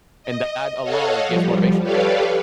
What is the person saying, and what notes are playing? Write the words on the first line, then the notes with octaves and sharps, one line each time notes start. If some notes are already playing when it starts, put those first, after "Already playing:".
And that alone gives motivation.
D#5
A4 C#5 D#5 F5 F#5
F3 G3
G4 A4 B4 C#5 D5 F5